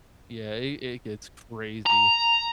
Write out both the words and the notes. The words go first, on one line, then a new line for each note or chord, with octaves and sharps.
Yeah, it it gets crazy.
A#5